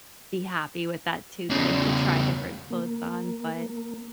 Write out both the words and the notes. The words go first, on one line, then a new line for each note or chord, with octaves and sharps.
be happy with that too getting to try different clothes on. But
E2 C#3
A#3